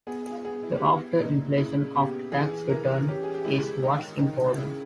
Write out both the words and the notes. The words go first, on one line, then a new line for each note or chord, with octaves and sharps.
The after-inflation, after-tax return is what's important.
B3 G#4
G#4
B3 G#4
E4
G4
B3 E4
A#2 D#4
C#3 E4
B3 G4
E3 G#4
E3 A#4
C#4 G4
G#4
G4
G#3 E4
D#3 D#4
D#3 D#4
C#3 E4